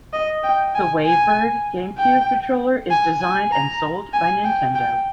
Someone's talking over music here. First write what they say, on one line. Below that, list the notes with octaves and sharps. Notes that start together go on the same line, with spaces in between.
The WaveBird GameCube controller is designed and sold by Nintendo.
D#5
G5
G#5
G#5
G5
G#5
G#5
A#5
G#5
G5
G5